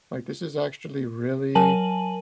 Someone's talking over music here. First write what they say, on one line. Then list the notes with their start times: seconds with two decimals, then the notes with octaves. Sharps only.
like, "This is actually really,
1.55 F#3 A#4 G#5 A5 D#7 F#7